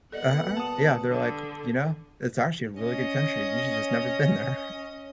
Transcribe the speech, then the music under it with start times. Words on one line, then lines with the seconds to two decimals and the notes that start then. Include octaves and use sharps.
Uh-huh. Yeah, they're like you know, it's actually a really good country. You j just never been there.
0.12 A#2 G3 B3 A4 D5 D#5 F#5
0.57 A5 D#6
1.08 D3
2.79 C#4 D#5